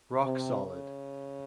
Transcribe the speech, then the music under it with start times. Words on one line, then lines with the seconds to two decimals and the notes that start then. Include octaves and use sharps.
Rock solid.
0.23 C3
0.58 C#3